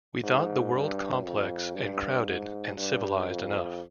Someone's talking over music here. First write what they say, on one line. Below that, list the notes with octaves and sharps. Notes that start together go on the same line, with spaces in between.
We thought the world complex and crowded and civilised enough.
G#2
G2
F2
G2
G#2
G2
F2